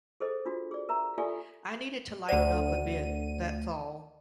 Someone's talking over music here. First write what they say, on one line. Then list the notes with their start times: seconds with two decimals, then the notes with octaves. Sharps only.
I needed to lighten up a bit, that's all.
0.20 G#4 A4 C5 D#5
0.46 D4 F4 F#4
0.71 G#4 D5
0.89 A#4 E5 A#5
1.18 F4 G4 A4 D5 E5 G#5
2.29 D2 C5 D5 F#5 D#7